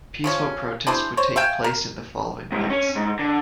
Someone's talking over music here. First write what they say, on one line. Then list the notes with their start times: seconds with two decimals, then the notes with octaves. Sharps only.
Peaceful protests would take place in the following weeks.
0.24 C#3 F3 C#4
0.87 D4 E4 G#4 C5
1.17 C5 C#5
1.36 E5 F5 G5 G#5
1.64 A#4
2.52 C2 G#2
2.70 C#4
2.95 G#2
3.19 D3